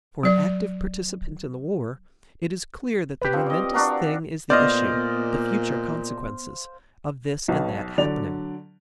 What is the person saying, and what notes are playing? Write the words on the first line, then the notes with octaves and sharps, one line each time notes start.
For an active participant in the war, it is clear that the momentous thing is the issue, the future consequences, of this and that happening.
F#3 D5
G4 B4
F3 C4
D5 D#5
D4 F#4 A#4
A#2 B3 C5 D5 D#5 F5
B1 B2
D3 F#3 D5 F7